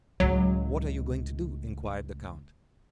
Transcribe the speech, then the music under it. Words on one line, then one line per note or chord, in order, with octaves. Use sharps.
"What are you going to do?" inquired the count.
C#2 A2 F#3